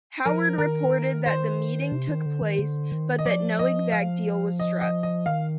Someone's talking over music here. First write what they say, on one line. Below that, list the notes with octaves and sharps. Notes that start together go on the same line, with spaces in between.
Howard reported that the meeting took place but that no exact deal was struck.
F3 A#4
D#3 A#4
C5
C3
D#3
D3
D#3
D3
D#3
D#5
F3 D5
D#5
F5
D#5
D#5
D#5
D#3 F5